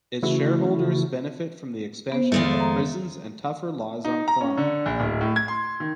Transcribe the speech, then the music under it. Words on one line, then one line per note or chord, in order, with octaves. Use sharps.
Its shareholders benefit from the expansion of prisons and tougher laws on crime.
C#3 E3 A3 E4 F#4
B3 C5
F2 D#3 G#3 A3
A#5
D#4
A#5
C#4
D3
A#1
D1
A2
G#6
C6
D#3